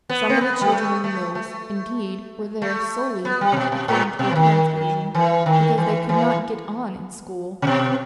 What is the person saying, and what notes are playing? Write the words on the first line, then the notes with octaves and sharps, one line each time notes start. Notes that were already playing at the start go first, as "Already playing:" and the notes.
Some of the children in the mills, indeed, were there solely--according to the parents' version--because they could not "get on" in school.
B3
C4
B3
G3
A3
A3
A3
A3
B3
G3
C3
B2
B2
A2
B2
E3
D#3
E3
D#3
E3
E3
C3
B2